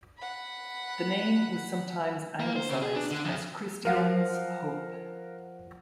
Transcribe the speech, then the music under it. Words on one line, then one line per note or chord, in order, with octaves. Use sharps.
The name was sometimes anglicized as Christian's Hope.
F#5 B5
A#3
C5
C#3
G#4
D4
D3
F2
F3 A#4 F5 F#5